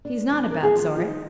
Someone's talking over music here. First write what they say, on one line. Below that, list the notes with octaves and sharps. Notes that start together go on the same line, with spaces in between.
He's not a bad sort.
D4
E2
A#4
G#4
F3
F4
D#4